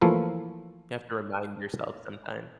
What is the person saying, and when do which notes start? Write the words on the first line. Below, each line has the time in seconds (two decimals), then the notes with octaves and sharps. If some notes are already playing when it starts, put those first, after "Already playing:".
You have to remind yourself sometime.
0.01 E3 F3 A3 A#3 E4 F4